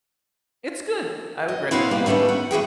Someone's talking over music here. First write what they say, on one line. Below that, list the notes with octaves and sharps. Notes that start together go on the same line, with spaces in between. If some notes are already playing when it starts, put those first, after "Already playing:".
It's good, I would recommend it.
D#5
C4 E4 F#4 D#5 F5
G3 A#3 B3 G5
D#3 G3 A3 B3 C#4
F#4
E3 F#4 G#4 G5